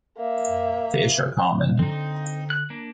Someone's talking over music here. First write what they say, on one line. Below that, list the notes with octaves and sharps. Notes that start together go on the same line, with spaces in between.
Fish are common.
A#3 E5
D3 C4 D#4
F#6
A#3 D4